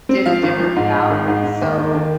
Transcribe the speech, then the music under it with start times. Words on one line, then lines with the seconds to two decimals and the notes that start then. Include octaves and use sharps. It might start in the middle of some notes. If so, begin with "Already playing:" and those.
did a different balance. So,
0.09 C4
0.26 F3 F5
0.43 G#1
0.59 F3
0.76 G#2
0.94 G#2
1.11 G#1
1.28 G#2
1.44 G#2
1.62 D#2
1.78 D#3
1.95 D#3